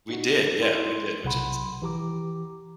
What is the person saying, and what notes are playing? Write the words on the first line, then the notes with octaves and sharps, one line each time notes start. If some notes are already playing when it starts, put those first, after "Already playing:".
We did, yeah, we did, which is
D#4 F#4
E4 C6
B1 C3 F#5 B5 C6
E3 G4 A#5 D6